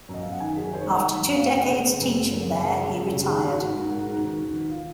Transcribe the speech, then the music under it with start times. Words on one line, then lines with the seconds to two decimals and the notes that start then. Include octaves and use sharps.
After two decades teaching there, he retired.
0.09 F#2
0.14 D#5
0.23 F#2 F5
0.32 F#5
0.40 D#3 G#5
0.57 F#2 G#4
0.64 A#4
0.72 D#3 C5
0.80 C#5
0.89 D#3 D#5
1.05 D#3
1.21 F#2
1.26 F#5
1.36 F#2 F5
1.48 C#3 F#5
1.60 D#5
1.68 C#3 C5
1.84 C#3
2.00 F#2
2.16 C#3
2.31 F#2 A#4
2.48 F#2
2.63 C#3
2.79 C#3
2.95 F#2
3.11 C#3
3.27 D#3 G#4
3.43 G#2
3.51 F#4
3.60 G#2
3.75 G#2
3.91 G#2
4.07 G#2
4.23 D#3
4.39 D#3
4.55 D#3
4.70 F4